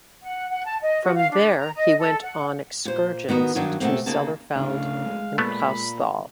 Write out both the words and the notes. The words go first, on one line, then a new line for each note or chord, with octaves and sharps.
From there he went on excursions to Zellerfeld and Clausthal.
F#5
F#5
A5
D#5
F#4
F5
D4
A#5
D#5
A4
F#5
A#2 C5
D#3 B3 D#4 F#4
G2 D#3 F#3 D4
B2 A3 A#3 C4
D#2 C#3 A#3 D#4 A5
D2 A2 C#3 D4 F5
G#3
A#2 A3 B3 B5